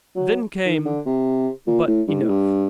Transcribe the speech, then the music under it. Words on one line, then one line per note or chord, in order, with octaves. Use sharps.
Then came--But enough!
F#3
D#3
D3
C3
A#2
A2
G2
A2
G2